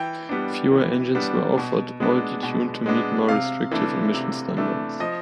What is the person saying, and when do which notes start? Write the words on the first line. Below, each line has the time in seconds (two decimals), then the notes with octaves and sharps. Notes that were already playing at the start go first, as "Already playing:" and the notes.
Fewer engines were offered, all detuned to meet more restrictive emission standards.
Already playing: E3 G5
0.29 G3 B3 D4
0.72 E3
1.15 G3 B3 D4
1.58 B2
2.00 G#3 B3 D4
2.43 B2
2.86 G#3 B3 D4
3.29 C3 F5
3.71 E3 A3 D4
4.14 C3
4.57 E3 A3 D4
5.00 F3 D#5